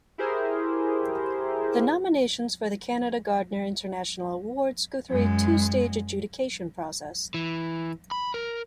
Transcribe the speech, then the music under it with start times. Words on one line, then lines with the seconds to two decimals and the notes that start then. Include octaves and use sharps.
The nominations for the Canada Gairdner International Awards go through a two-stage adjudication process.
0.18 E4 G4 G#4 A#4 C5
5.10 F#2 G#3
7.34 E3
8.11 B5
8.34 A#4